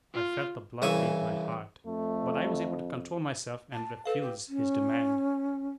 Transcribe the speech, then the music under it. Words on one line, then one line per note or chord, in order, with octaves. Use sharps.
I felt the blood leave my heart, but I was able to control myself and refuse his demand.
F4
C2 C#3 E3 E5 G#5 C#6
F2 A3
A5
A4 B4 F5
G4
C#4